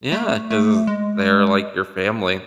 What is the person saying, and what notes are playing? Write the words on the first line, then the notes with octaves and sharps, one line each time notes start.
Yeah 'cause they're like your family,
A3
A3
G#3